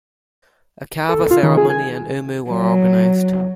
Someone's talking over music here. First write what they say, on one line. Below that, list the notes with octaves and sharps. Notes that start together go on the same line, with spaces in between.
A kava ceremony and umu were organised.
A4
F4
D#3
G#4
G#5
F#3